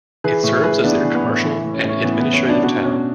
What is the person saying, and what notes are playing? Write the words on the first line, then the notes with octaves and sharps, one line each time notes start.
It serves as their commercial and administrative town.
E3 G#4 B4
A2
A2 G#4 B4
E3 B3 D4
E3
B3
A2
E3
A2
C#4
A2
C#4
E3 B3
E3 B3
C#4
A2 B3 D4
B2 D4 F#4
B2 C#4